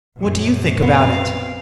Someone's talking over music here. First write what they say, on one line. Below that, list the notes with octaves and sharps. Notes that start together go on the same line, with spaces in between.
"What do you think about it?"
A#1 F#2
B3 C4 F5